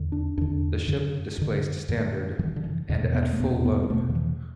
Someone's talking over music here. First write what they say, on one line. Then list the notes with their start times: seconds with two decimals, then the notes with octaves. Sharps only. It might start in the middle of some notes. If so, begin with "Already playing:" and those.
The ship displaced standard, and at full load.
Already playing: E2 D3
0.12 D4
0.38 E2 D3 D4
0.88 F#2 D3
1.38 F#2 D3
1.89 F#2 D3
2.39 F#2 E3
2.43 D3
2.56 D3
2.64 E3
2.89 E2 B2 D3
3.14 B3
3.33 A3
3.40 E2 B2 B3
3.65 B3
3.83 B3
3.90 E2 B2 A3
4.10 D3
4.15 E3